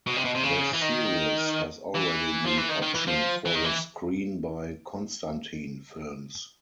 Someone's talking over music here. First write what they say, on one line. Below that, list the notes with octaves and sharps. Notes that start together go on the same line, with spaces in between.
The series has already been optioned for the screen by Constantin Films.
B2
C3
B2
C3
C#3
E3
D#3
E3
F3
E3
D#3
D#3
E3
F3
E3
D#3
E3